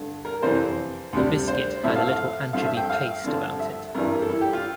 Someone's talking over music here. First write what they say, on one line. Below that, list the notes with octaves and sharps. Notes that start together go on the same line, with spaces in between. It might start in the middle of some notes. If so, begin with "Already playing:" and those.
The biscuit had a little anchovy paste about it.
Already playing: G2 D3 A3
A#4
F2 C3 E3 C5
D2 C3 G3
C5
A2 F3 A3 E5
F5
F5
G2 F3 A3 F5
E5
G5
F5
G2 D3 F3 A3
E5
G2 E3 G3 A#4
A#4
A4
E4
G4
F4